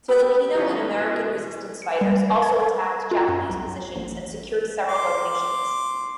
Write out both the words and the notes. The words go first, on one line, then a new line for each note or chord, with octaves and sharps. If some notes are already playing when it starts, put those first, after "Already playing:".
Filipino and American resistance fighters also attacked Japanese positions and secured several locations.
G4 B5 D#6 E6
E3 G3 B3 C#4 D#4 F4
B2 E3
C#7
G3
G#6
F4
F#2
B1
A1
C6 D6